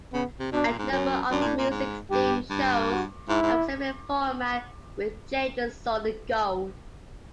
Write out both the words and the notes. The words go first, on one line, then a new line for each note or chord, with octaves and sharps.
A number of music themed shows have a similar format with Jade Solid Gold.
C#3 B3
C3
B2 D4
A#2
G#2
F#2 C#4
F#2 D4
A#2
A2
A#2
G#2
G2 G4
G2
F#4
G#2 E4
G#2